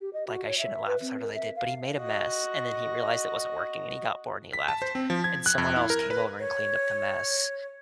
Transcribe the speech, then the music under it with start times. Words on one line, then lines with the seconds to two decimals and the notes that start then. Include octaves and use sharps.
like, I shouldn't laugh as hard as I did, but he made a mess. And then he realized it wasn't working, and he got bored, he left. And someone else came over and cleaned up the mess,
0.01 G4
0.13 D#5
0.27 F#4
0.46 C#5
0.58 E5
0.87 B4
1.01 C4
1.21 A#4
1.35 E5
1.56 F5
1.98 F#4 D#5
4.53 B6
4.68 A5
4.82 C5
4.95 C4
5.10 F3
5.24 G#6
5.46 F#6
5.58 F2
5.76 E4
5.90 A#4
6.11 B4
6.39 C#5